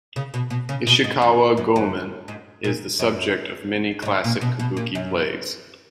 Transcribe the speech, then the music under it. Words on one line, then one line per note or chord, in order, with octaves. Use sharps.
Ishikawa Goemon is the subject of many classic kabuki plays.
C#3
B2
B2
C#3
B2
G#2
F2
F#2
F#2
G#2
A#2
F#2
F#2
G#2
A#2
B2
B2
A#2
F#2